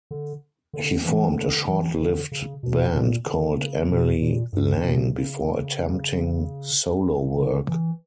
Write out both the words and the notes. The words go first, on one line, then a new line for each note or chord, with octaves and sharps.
He formed a short-lived band called Emily Lang before attempting solo work.
D3
D3
E3
D3
E3
D3
C#3
B2
A#2
D3
C#3
B2
A#2
G2
B2
C#3
D3
E3